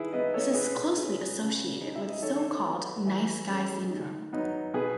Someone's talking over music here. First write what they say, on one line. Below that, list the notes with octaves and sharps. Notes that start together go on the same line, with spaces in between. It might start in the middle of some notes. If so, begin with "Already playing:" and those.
This is closely associated with so-called "nice guy syndrome".
Already playing: D#3 E4 G#4 B4
G#3 B3 D#4 B4 D#5
A4 C#5
A2 G#4 B4
G#3 C#4
C#3
G#3 D#4
E5
D#5
D#3 A4 C#5
F#3 B3
E3
G#3 C#4
D#3
F#3 B3 D#4
B2 G#4 B4